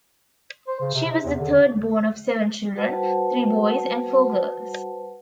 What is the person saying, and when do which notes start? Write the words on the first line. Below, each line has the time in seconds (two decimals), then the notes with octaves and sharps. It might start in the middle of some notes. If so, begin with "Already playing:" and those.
She was the third born of seven children, three boys and four girls.
0.68 C5
0.80 C#3
0.94 C3
1.06 C3
1.25 E2
1.40 D3
2.76 G3 F#4 B4 C5 F#5 A5